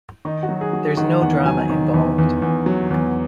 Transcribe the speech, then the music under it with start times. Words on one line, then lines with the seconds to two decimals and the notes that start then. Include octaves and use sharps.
There's no drama involved.
0.25 D#3 D#4
0.43 F#4
0.49 F#3
0.61 G#4
0.73 F#3
0.97 D#3 F#5
1.21 E2 F#5
1.45 F#3 G#5
1.70 D#3
1.94 E2
2.18 E2
2.42 E2
2.66 F#3
2.90 E2